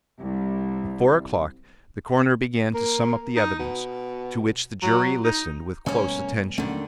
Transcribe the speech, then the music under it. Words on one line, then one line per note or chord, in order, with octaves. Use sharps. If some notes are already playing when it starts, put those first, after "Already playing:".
At four o'clock the coroner began to sum up the evidence, to which the jury listened with close attention.
C2
A#3
D#4
B2
F#3
D#4
B2 G3 A3 A#3 C#4
D#2 D3 D#3 F#3 A3 A#3 C#4